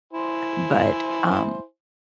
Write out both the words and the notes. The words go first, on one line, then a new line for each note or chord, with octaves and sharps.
but, um,
E4 C5 G#5